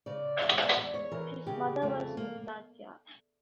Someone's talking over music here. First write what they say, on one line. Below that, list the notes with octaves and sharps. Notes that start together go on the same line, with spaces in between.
His mother was Utathya.
C#3 D5
E2 E5
D5
E5
E2 D5
C#5
E3 A#4
C#3 G4
F2 A3
A#3